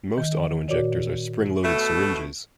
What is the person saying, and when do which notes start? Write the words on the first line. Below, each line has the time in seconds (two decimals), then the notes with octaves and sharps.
Most autoinjectors are spring-loaded syringes.
0.18 D#3
0.68 A#2 F#4 C#5 D5
1.63 B2 A3